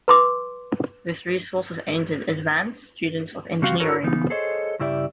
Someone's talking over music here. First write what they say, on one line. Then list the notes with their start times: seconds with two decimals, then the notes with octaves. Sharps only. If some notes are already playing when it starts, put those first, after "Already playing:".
This resource is aimed at advanced students of engineering.
0.08 B4 C6 D6
3.62 C#3 G3 C4 F#4 F5
3.80 E4 F#4 A4 A#4 C#5
4.03 C#3 E3 B3 D#4
4.30 G#4 A4 C5 C#5 D#5
4.79 G2 C#3 E4 G4 D5 E5